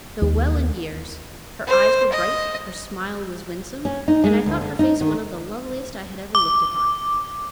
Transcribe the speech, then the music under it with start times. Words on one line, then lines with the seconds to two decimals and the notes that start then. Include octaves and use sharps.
Though well in years, her eyes were bright; her smile was winsome, and I thought her face one of the loveliest I had ever looked upon.
0.22 D#2
1.68 C5
2.14 D#5
3.85 C#4
4.08 D#4
4.24 G#3
4.46 D2
4.61 D3
4.79 D#4
5.01 D#3
6.35 D6